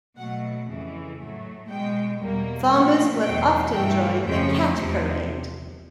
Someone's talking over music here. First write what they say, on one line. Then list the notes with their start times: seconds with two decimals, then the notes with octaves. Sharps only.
Farmers will often join the "Cat Parade".
0.17 B2 F#3 A3 F#5
0.68 F2 C#3 E3
1.18 A2 F#3 A3
1.69 B2 G#3 G5
2.21 E2 B2 G3 A#3
2.72 A#2 F3 A3 F#5
3.23 E2 B2 F#3 A3 G5
3.74 G2 E3 A3 G5
4.25 F2 C#3 F3 A3 G5
4.76 E2 C3 F3